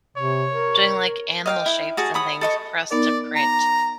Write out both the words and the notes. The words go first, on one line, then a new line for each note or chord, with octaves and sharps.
doing, like, animal shapes and things for us to print
C3 C#5
A#4
D#5 F5 G5
E4
F#4 G#4 A5
C#5 B5 D#6
A4 D#5 C#6
B3 D#4 A#4 D5
A#5